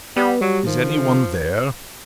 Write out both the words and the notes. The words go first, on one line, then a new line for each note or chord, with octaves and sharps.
"Is any one there?"
G3 B3
F#3 G3
D#3 F3
D3